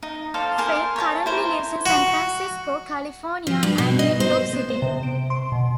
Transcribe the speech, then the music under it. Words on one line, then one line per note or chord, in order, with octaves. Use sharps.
Fake currently lives in San Francisco, California and New York City.
D#4
A4 C5 D5 F5
G#4 A#4 C5 G#5
C#5 A5
E4 C5 A#5
F#4
F3
G2
B2
D#5
C5
B3
C5
C3
D7
C6
B2